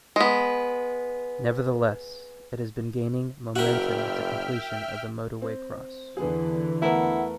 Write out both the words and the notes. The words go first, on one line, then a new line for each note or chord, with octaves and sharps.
Nevertheless, it has been gaining momentum with the completion of the motorway cross.
G#3 B3
F#1 F#4 A#4 E5 G5 F6
C4
E2 D3 E3 B3 G#4
A3 B3 E4 A#4 F#5